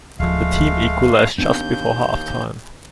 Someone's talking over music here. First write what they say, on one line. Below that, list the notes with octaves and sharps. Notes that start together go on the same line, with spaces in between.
The team equalized just before half-time.
D1 F3 G#3 A3 F5
D#2 B3 C4 D4 G6